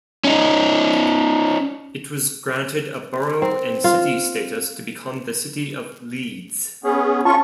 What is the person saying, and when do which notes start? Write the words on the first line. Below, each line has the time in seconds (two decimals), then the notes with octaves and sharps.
It was granted a borough and city status to become the City of Leeds.
0.24 C#4 D#4
3.42 C4
3.84 F4
6.84 B3 C#4 G#4
7.25 C#4 F4 A5 C#6